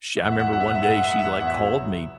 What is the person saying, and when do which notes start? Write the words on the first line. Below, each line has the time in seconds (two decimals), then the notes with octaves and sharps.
sh I remember one day she like called me
0.17 E2 E5
0.25 F#5
0.32 E5
0.35 E2 F#5
0.46 E5
0.52 F#3 F#5
0.60 E5
0.68 F#5
0.70 G#2 E5
0.83 F#5
0.89 G#2 E5
0.97 F#5
1.03 G#2 E5
1.12 F#5
1.19 E5
1.24 E2 F#5
1.33 E5
1.40 E2 F#5
1.47 E5
1.59 F#3
1.77 C#2